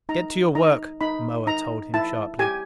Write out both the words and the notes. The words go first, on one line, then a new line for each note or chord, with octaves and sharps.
"Get to your work," Moa told him sharply.
D#4 A#5
D#4 A#5
D#4 B5
D#4 A#5
E4 A5
G4 G#5